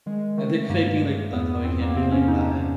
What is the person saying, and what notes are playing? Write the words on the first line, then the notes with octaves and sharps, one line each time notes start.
And they're gonna be like, "Well, that's why we can't be like that."
D#3 G#3
D#3 A3
G2 A#3
G2
E2 B3
B3
E2 C4
A#3
C3 C4
C#4
E2 D#4
D4